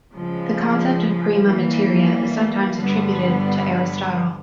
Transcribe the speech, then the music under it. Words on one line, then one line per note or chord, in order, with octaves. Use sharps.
The concept of prima materia is sometimes attributed to Aristotle.
C#3 F3 G#3
E3 G3 A#3
G2 D3 G3 B3